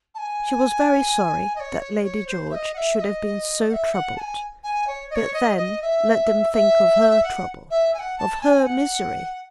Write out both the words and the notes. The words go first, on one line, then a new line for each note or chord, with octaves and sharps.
She was very sorry that Lady George should have been so troubled;--but then let them think of her trouble, of her misery!
A5
G#5
D#5
C#5
C#5
C#5
C5
E5
D#5
F#5
E5
E5
D#5
F#5
E5
F#5
A5
G#5
G#5
C#5
D#5
C#5
D#5
D#5
E5
E5
F#5
E5
G#5
F#5
A5
G#5
F#5